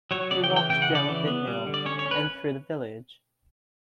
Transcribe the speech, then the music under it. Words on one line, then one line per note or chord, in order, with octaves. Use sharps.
He walked down the hill, and through the village.
F#3 C#5
C#3 D5
G5
E3
G5
C#3 G5
F#5
C#3
D5
E3
B3
G3
D3
D5
C#4 C#5
C#5
C#4
B4